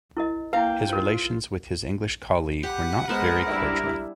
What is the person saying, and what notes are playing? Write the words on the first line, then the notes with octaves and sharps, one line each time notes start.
His relations with his English colleague were not very cordial.
E4 A#4 D#5
A#3 E4 B4 F5 G5 A#5
F4 A#4 C5
G4 B4 F#5
G#3 B3 A#4 C5
G3 D4 E4